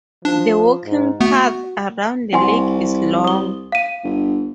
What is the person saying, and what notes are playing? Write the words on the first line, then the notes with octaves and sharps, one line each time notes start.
The walking path around the lake is long.
F3 D4
G#2
A3 B3 F#4
C2 F#5 G#5 C6
D#6 G7
F5 D#7
G1